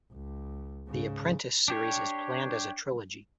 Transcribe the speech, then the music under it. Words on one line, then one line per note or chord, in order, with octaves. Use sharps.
The "Apprentice" series is planned as a trilogy.
C#2
G#2 C#3
D4 G4 C#5